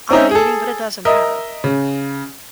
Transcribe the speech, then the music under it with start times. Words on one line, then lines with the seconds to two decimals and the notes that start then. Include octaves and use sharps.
I'm meeting, but it doesn't matter.
0.10 C4 C#4 D#4 E5
0.31 G#4 A4
1.05 A#4 D#5 E5
1.64 C#3